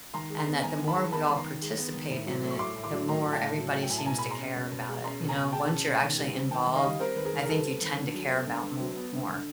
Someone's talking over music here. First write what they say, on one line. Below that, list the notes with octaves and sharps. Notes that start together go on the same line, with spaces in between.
and that the more we all participate in it, the more everybody seems to care about it, you know? Once you're actually involved, I think you tend to care about more,
D#3 A#5 C6
G#3
A#5 C6
B3
D#3 G#5 A#5
D#3
A5 B5
G#3
B3 A5 B5
D#3 B5
A#5 C6
D#3
G#3
B3
D#3
A2
F#3
A3
C#6
A2 C6 D6
A2
C6 D6
F#3
A3 A#5 C6
A2
G5 A5
A2
F#3
A3
G5
A2 G#5
A5
B2 G#5 A#5
G#3 B5
A#5 C6
C#4
B2
B2
G#3
C#4 A#5 C6
B2
G#5 A#5
B2
G#3 G5 A5
C#4
B2
D#3
G3
C4
D#3 G5 A5
D#3
D#5 F5
G3
C4 A#4 C5
D#3 B4
G#4 A#4
D#3
A#4
G3 A4 B4
C4
D#3
D3
F#3
B3
D3
D3
F#3
B3
D3
D3